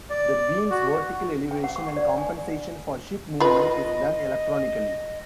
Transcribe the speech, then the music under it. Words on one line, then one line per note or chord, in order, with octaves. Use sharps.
The beams' vertical elevation, and compensation for ship movement, is done electronically.
D5
F#4
G5
F#5
C#6
D5
G#5
F4 B4 D#5